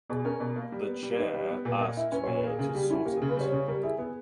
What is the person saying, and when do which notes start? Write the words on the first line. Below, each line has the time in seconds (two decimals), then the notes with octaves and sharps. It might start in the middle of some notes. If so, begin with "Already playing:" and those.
The Chair asked me to sort it.
0.10 B2 G#4
0.25 C#4 A#4
0.40 B2
0.56 A#3
0.72 G3
0.87 B3
1.03 G3
1.19 D#4 B4
1.34 G3
1.50 B3
1.65 A#2 B4
1.81 A#3 D#5
1.97 E4
2.12 C#4 B4
2.24 C#5
2.27 A#2
2.35 B4
2.43 A#3 G#4
2.58 C#3 G#4
2.74 G3 G4
2.90 C#4 E4
3.05 A#3 G4
3.17 G#4
3.22 C#3
3.29 B4
3.37 G3 C#5
3.52 C#3 C#5
3.68 G3 A#4
3.83 E4 G#4
3.98 B3 G#4